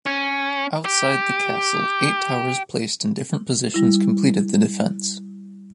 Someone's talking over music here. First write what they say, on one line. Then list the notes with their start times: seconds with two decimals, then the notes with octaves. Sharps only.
Outside the castle eight towers placed in different positions completed the defence.
0.06 C#4
0.85 G4
3.74 G3 E4